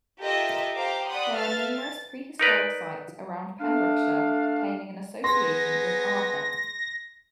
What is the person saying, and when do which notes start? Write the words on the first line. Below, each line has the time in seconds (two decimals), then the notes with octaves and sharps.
There are numerous prehistoric sites around Pembrokeshire, claiming an association with Arthur.
0.19 F4 G4 A4 A#4 D#5 E5
0.73 G4 C5 F5 G5 A#5 D6
1.06 D5 F#5 B5 C6 D#6
1.35 A4 B4 E5 F5 F6 A6
1.73 A6
2.39 D#4 A#4 B4 D5
3.61 A3 D4 F5
5.24 B3 G#4 C6 A#6